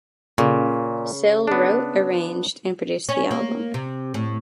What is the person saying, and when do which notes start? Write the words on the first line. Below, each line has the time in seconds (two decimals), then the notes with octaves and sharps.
Sill wrote, arranged, and produced the album.
0.38 A#2 C#3
1.47 B3 D4
3.09 C#4
3.31 A#3
3.74 C3
4.14 A2